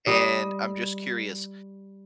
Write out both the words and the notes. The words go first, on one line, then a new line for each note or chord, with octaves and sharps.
and I'm just curious,
G3 D#5